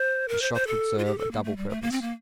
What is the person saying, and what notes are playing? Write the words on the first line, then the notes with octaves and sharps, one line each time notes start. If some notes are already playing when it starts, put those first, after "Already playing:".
The shot would serve a double purpose.
Already playing: C5
A#4
C5
C5
A4
F4
G4
A4
A#3
A3
G3
A3
A#3
C4
A#3